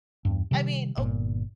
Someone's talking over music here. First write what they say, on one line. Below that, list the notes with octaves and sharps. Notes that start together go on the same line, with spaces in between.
I mean, ok
E2 G2
C3 D#3 F3 G3
G1 A#2